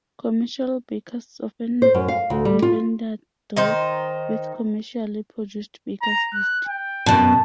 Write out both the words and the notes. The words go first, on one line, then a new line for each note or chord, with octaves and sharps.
Commercial bakers often leaven their dough with commercially produced baker's yeast.
C5
F#2
F5
D2
G3
F4
D#3 D#4 C5
A#5
F#6
G5
F#2 B2 A5